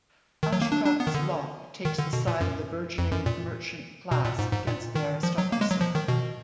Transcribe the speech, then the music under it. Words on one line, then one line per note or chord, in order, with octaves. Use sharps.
Ashcraft's Locke takes the side of the burgeoning merchant class against the aristocracy.
D#3
F#3
A#3
D4
D4
B3
D#3
D3
D#3
D3
B2
A#2
F#2
F2
F#2
A#2
B2
A#2
G#2
G#2
A#2
D#3
F3
F#3
A#3
G#3
F#3
F3
D#3
B2